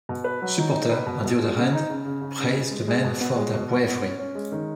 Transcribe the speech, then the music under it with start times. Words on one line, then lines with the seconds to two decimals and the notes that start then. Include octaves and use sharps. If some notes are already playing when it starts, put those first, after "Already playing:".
Supporters, on the other hand, praised the men for their bravery.
0.09 B2
0.24 B4
0.42 F#3
0.57 D#4
0.75 D#4
0.91 B4
1.06 B2
1.24 B2
1.39 G#3
1.56 C#3
1.73 D#4
1.89 C#3
2.05 C#3
2.21 C#3
2.39 C#3
2.54 C#3
2.71 G#3
2.88 G#3
3.04 B2
3.21 B3
3.36 G#3
3.54 B2
3.70 B3
3.86 B3
4.02 C#4
4.19 C#4
4.35 G#3
4.52 D#3